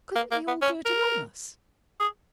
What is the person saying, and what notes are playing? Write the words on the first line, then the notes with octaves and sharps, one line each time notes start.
"Couldn't we all do it among us?"
A#3
A#3
B3
C#4
A#4
G#4